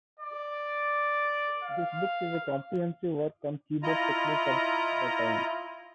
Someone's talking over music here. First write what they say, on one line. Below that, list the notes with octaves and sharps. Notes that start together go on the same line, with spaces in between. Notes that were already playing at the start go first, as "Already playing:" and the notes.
This book is a comprehensive work on keyboard technique of the time.
D5
F5
E4 F4 D#5 A#5